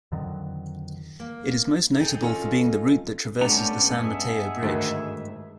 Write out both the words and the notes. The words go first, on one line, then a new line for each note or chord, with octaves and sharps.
It is most notable for being the route that traverses the San Mateo Bridge.
F2 D3 D#3 F#3
A#3
D#4 G#4 A4 G5
C#4 D#4 F4 A4
A#2 G3 A3 B3 C#4 D4 A#5
G2 G#3 G#4 E5
D2 G#2 D#3